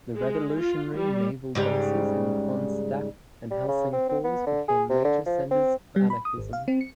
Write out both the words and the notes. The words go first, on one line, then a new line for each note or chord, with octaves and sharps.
The revolutionary naval bases in Kronstadt and Helsingfors became major centers of anarchism.
G#3
F4
G3
G#2 C#3 G3
G3
C#3
C4
C4
B3
D3
G#4
C3
D3
F3
C4
G3
B5
D#6
G#1
F5
C4
C#7